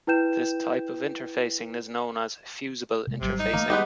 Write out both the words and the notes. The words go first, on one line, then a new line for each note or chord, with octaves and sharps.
This type of interfacing is known as "fusible" interfacing.
E4 B4 G5 G6 E7
C3 G#3
G#1 C3 F#3 G3
D#4
E3 F3 A3 A#3
G3 G#3 B3 G4